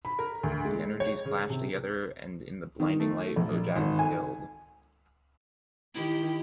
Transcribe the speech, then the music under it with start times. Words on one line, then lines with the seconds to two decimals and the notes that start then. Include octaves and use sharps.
The energies clash together and in the blinding light Bojack is killed.
0.05 B5
0.19 A#4
0.43 D2
0.65 G#3
1.00 C#5
1.25 C#3
1.50 C3
2.80 D#3
3.00 A3
3.36 A#1
3.76 G#1
3.99 G#5
5.95 D#3 E4 G4